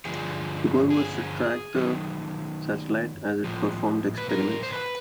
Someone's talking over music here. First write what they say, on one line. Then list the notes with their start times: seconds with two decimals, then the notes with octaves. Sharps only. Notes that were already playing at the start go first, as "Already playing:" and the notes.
The goal was to track the satellite as it performed experiments.
0.05 G2 D3 F3 G#4
0.90 G#4
1.75 F#2 D#3
3.44 A2 F3
4.18 B4
4.29 A#4
4.63 C5
4.72 B4